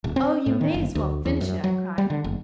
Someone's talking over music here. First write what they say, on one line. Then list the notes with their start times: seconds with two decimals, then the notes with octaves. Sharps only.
"Oh, you may as well finish it!" I cried.
0.04 D1
0.16 C4
0.46 A2
0.61 D#3
0.74 F#1
0.95 D2
1.26 E2
1.41 F#2
1.64 F#3
1.98 G3
2.10 D3
2.24 F#1